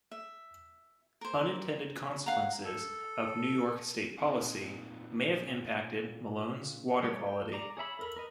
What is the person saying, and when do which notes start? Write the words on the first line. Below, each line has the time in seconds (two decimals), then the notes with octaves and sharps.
Unintended consequences of New York State policy may have impacted Malone's water quality.
0.11 E5
1.21 A#4 C5
2.26 F5 F#5 A#5
2.65 A4
4.21 A#2 C4 D#4
7.03 G3 G4 C#5 G5
7.27 G5
7.53 D5 A#5
7.77 G#4 C#5 E5 B5
7.99 A4 A#4 B5
8.16 A#4 B4 D#5